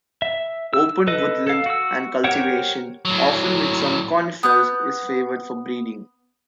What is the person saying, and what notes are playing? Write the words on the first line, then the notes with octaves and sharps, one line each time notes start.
Open woodland and cultivation, often with some conifers, is favoured for breeding.
E5
E6
A4 B4 D#5
A4 F5
F#4 E6
G4 A#4 C5 C#5 F#5
A2 F#3
B3 F#6 G6